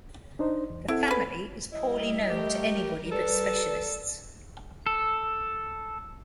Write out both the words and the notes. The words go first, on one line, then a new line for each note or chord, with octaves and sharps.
The family is poorly known to anybody but specialists.
D4 D#4 C5
E2
C4 E4 A4 F#5
G#4 B4
G3 E4 A#4 D#5
A3 G4
A4 B4 D5
A4